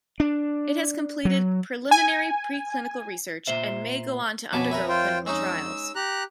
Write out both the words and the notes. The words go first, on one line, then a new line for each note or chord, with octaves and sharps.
It has completed preliminary preclinical research and may go on to undergo clinical trials.
D4
F#3
G#5
A#2 C5 E5
F2 B2 C#5 G#5 A5 B5 D6
A#4 B4 E5
F4 C5 G5
G#3 C#4 D#4 E6
G4 A#5 F#6